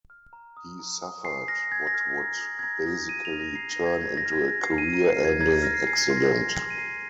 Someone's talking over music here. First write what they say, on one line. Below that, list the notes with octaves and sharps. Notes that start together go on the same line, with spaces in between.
He suffered what would basically turn into a career-ending accident.
F6
A#5
D#6
A#5
D#6
G#5 C7
F6 A#6
G#5 G#6
A#6
F6
A#5
D#6
G#6
A#5 A#6
D#6 A#6
A#5 D#7
F7
F6
A#6
A#5 C7
A#6
F6
G#6
G#5 G#6
A#6
F6
G#6
G#5 A#6
C7
F6
D#7
A#5 D#7
C7
F6
G#6
A#5 G#6
A#6
F6 A#6
C7
G#5 C7
G#6
C6 F6
A#6
G#5 A#6
C6 F6
D#7
A#5 C7